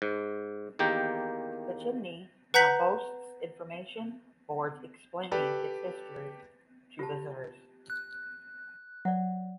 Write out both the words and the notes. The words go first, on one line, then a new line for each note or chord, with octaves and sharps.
The chimney now boasts information boards explaining its history to visitors.
G#2
E2 D#3 A#3 G4
B4 F#5 A#5 G6 B6 F#7
G4 A4 B4 D5
F4 G4 A5
F#6
F#3 D5 F#5